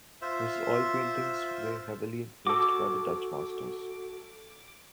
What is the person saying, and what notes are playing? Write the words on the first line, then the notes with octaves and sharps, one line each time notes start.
His oil paintings were heavily influenced by the Dutch Masters.
F4 C5 E5
F#4 A4 D6